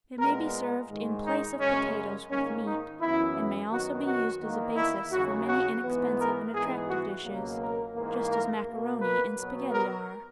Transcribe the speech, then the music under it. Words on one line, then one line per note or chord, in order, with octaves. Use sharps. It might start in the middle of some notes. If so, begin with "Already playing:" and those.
It may be served in place of potatoes with meat, and may also be used as a basis for many inexpensive and attractive dishes, just as macaroni and spaghetti are.
A#2 G#3 B3 A#4
G#2 D#3 G#3
D#4
F#2 C#3 G#3 C#4
G#2 D#3 A#3 C#4
D#4
F#2 E3 B3 E4
F#2 D#3 F#3 B3 F#4
F#4
E2 D#3 A#3
E4
D#2 C#3 F#3 F#4
F#4
G#2 E3 B3
A#4
G#2 E3 G#3 B3 G#4
F#4
C#2 B2 F#3 A#3
A#4
G#2 E3 A#3
A#4
B2 A#3
B4
B2 F#3 B3
A#4